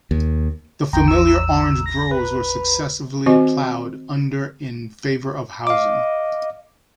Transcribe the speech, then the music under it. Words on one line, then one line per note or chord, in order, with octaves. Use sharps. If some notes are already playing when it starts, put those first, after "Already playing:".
The familiar orange groves were successively plowed under in favor of housing.
D#2
A1 E2 G5 A#5
E6
E6
A#6
B4
D#3 C4 F#4 D#5
D#5 F5 D6